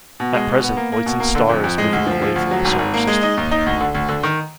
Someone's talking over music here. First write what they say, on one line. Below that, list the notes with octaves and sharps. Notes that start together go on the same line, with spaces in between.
At present, Luyten's Star is moving away from the Solar System.
B2
G#3
B2
B3
A#3
A#3
B2
A#3
D3
F2
F2
G#3
D2
F3
F3
D2
F#3
G#1
G#1
A#3
G#3
D#4
D#2
D#4
D2
D3
D2
D3
D#3